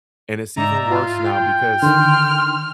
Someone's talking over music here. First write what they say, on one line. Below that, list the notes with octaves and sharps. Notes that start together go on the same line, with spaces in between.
And it's even worse now because
G#2 D#4 D5 E5 A#5
F4
G5
D3 D#3 C6 F6